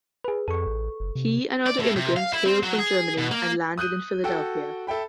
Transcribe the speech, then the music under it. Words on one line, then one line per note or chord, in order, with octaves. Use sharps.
He and other immigrants hailed from Germany and landed in Philadelphia.
G#4 B4
F2 A4 C#6
A1
F#1
C3
D5
A2
C3
F5
E4
C4
F#3
G#4
B2
A#3
D#6 F#6 G6 D#7
F#4 A4 G5
A4 E5 G5 B5